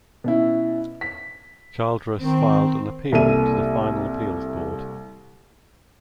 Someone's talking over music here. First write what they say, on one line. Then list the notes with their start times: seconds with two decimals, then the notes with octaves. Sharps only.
Childress filed an appeal to the Final Appeals Board.
0.24 B2 C#4 E4
1.01 B6
2.18 D#3 C4
3.12 C2 A#3 A4 E5 D#7